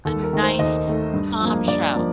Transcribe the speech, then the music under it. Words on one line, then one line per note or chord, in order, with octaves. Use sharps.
a nice, calm, show.
D#2 A4
A#4
D#3 A3
C5
D#2 D#5
D#3 A3
G2
F3 A#3
G2 D5
F3 A#3